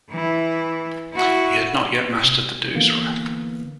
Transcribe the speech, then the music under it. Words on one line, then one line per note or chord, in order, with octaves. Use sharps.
He had not yet mastered the doosra.
E3 E4
E4 F#4
C3
D3 E3 A#3 B3